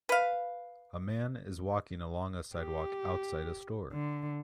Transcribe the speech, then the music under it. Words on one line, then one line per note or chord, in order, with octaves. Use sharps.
A man is walking along a sidewalk outside a store.
B4 F5
G4
D3